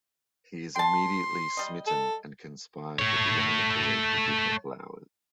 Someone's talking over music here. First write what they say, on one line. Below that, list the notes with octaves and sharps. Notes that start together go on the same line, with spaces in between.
He is immediately smitten and conspires with a younger boy to give her flowers.
G5 A5 C6
G3 D#5
A4
A3 C#5